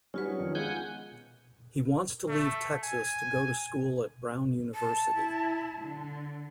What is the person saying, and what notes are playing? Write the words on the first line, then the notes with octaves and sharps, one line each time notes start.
He wants to leave Texas to go to school at Brown University.
F#3 G3 C#4 D#4 F4 F#4 B4
F2 D#3
G#3 B3 F4 F#5 G#5 G6
A3
G#5
A5
E4
D3